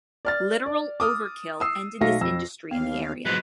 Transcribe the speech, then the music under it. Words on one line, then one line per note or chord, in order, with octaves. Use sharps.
Literal overkill ended this industry in the area.
D5 F6 A6
D5
D6 D#6 F6
D#6 E6 C7
B1 F#3 A3 F5 A#6
F2 E6
D#2 B3 F5
G#2 B2 F3 F#3 G#3 B4